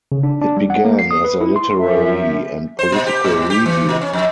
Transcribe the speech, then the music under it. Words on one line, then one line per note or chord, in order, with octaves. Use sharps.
It began as a literary and political review.
C#3
D4
D4
G3
F#5
A#3
C7
D#6
B4
E4
C6
F#2 E5
C5
A#2
G4
A2
G#2
G4
E3
A#2
C#4
F2